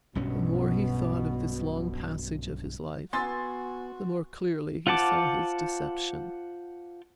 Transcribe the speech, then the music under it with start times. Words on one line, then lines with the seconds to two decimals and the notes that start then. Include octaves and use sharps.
The more he thought of this long passage of his life, the more clearly he saw his deception.
0.15 B1 G2 B2 C#4
3.13 B3 F#4 G#5 C6 E6 A6
4.87 F4 C5 F#5 A5 D6